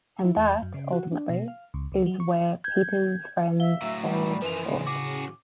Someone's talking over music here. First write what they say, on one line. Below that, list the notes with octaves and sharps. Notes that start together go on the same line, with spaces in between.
And that, ultimately, is where "Peter's Friends" falls short.
E4
E2
F#2
C#3
F#4
D4
B2
F5
C#2
C#2
F#3
C#6
G6 G#6
E5 F5 G7
A2 F#3
G3 F#5
F#2 E3 F3 B4 F7
A2 C#3
F#4 G#4 D6